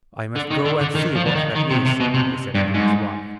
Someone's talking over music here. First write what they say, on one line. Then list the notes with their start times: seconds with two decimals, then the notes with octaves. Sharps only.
'I must go and see what that is,' he said to his wife.
0.36 D3
0.50 D#3
0.65 D3
0.81 D3
0.95 D#3
1.16 F3
1.26 D3
1.35 D#3
1.55 D#3
1.70 C3
1.85 C3
2.00 B2
2.14 C3
2.55 G2
2.74 G#2